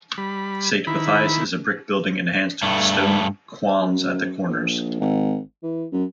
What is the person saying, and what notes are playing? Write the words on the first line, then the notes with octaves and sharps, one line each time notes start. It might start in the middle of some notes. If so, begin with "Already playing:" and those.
Saint Matthias is a brick building enhanced with stone quoins at the corners.
G3 B5
D#3 E4 B5
G2 A3
F#2
A#1
G#1
E3
F#2